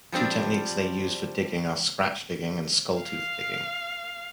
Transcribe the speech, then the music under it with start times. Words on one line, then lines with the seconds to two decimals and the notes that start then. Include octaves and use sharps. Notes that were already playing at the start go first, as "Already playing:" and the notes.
The two techniques they use for digging are scratch-digging and skull-tooth digging.
0.12 F3 G3 C4 D4
3.01 F5